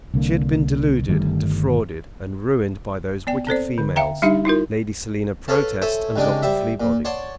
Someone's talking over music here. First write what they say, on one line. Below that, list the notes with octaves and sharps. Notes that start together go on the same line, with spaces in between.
She had been deluded, defrauded, and ruined by those wicked females, Lady Selina Protest and Dr. Fleabody.
C2 D3 A#3
G1 D#3 G3 A3
B3 D5 G5
C4 A4 C5 D5
D3
E5 F5 G5 A#5
G3 D4 D#4 G4 E5
D#4 E4 F#4 A#4
A4 B4 C#5 F5 A5
A4 C5 C#5 E5 G#5
C2 C#3 G#3 D4 D5 G5
G3 C5 E5
A#2
C#5 D5 F#5 A5 C6